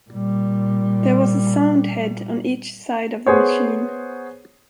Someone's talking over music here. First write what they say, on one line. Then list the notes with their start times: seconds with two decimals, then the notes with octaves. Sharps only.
There was a sound head on each side of the machine.
0.10 A#2 G3
3.26 B3 G#4 C5 C#5